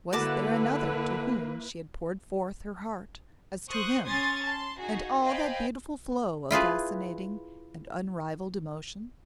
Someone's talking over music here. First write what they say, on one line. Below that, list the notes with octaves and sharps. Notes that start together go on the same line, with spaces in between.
Was there another to whom she had poured forth her heart as to him, and all that beautiful flow of fascinating and unrivalled emotion?
D3 A#3 E4 F#4 B4 A5 D6
C5 C#6 D#6 F#6
C#4 C6 D#6 G#6 A6
A5 C6
D#4 F#4 G#4
C5 D#5 F5 G5 G#5 B5
E4 F4 G#4 B4